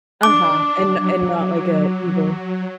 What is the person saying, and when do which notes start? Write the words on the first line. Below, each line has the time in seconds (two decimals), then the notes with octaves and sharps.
Uh-huh, and and not like an evil
0.23 D4 D6
0.98 F#3